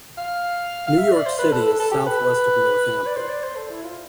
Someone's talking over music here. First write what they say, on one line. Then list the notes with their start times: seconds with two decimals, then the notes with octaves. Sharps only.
New York City is southwest of Northampton.
0.17 F5
0.87 F5
0.98 E5
1.12 D5
1.26 C5
1.39 B4
1.53 A4
1.80 A4
1.91 G4
1.99 A4
2.06 B4
3.06 D5
3.16 C5
3.29 D5
3.43 C5
3.56 A4
3.70 E4
3.83 F4